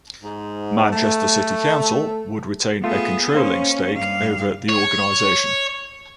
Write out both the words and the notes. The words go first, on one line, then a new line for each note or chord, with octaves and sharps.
Manchester City Council would retain a controlling stake over the organisation.
G#2
A3
A3 B3 F4 G#4
A#3 C#4 C5
G2 F5
C#5